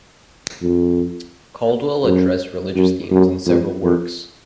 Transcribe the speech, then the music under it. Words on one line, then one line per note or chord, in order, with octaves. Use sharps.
Caldwell addressed religious themes in several works.
F2
F#2
F#2
F#2
F2
F2